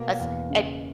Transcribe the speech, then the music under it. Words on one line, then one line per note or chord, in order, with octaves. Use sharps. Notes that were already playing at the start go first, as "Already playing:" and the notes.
that's eh
Already playing: B2 A#3
E2
C#3